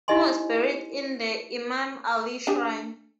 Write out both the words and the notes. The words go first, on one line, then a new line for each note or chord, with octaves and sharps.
He was buried in the Imam Ali shrine.
D#4 E4 G4 D#5 G#5 C6
D4 G4 G#4